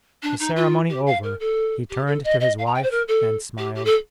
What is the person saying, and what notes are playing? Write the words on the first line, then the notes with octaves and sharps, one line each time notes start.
The ceremony over, he turned to his wife and smiled.
D4
D#4
F4
G4
F5
A#4
A4
G4
A4
D#5
D#5
F5
A#5
G5
C5
A#4
A4
G4
G4
A4